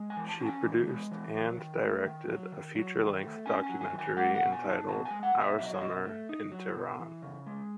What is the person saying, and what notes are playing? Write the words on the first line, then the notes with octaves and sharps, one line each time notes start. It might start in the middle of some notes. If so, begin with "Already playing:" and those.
She produced and directed a feature-length documentary entitled "Our Summer in Tehran".
Already playing: G#3
G#5
E3
A5
C#4
G#5
E3
G#3
E3
F#3
D#3
A3
D#3
F#3
D#3
F#3
D#3
A3
C#4 G#5
G#5
F#3
G#5
D#3
G#5
G#3 F#5
F#5
B2
G#5
D#4
A5
B2 A5
G#5
G#3
F#5
B2
E5
F#3 E5
D#5
C#5
B2 D#5
A3
D#4
F#3
B2
E3
C#3
G#3